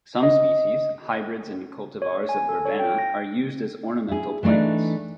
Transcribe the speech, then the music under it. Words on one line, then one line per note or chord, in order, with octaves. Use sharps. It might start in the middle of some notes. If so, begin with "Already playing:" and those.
Some species, hybrids and cultivars of verbena are used as ornamental plants.
D#5
C#5
G#5
A4
C#5
G5
A#6
E4 G#4
E3 A3 A#3 D4 D#4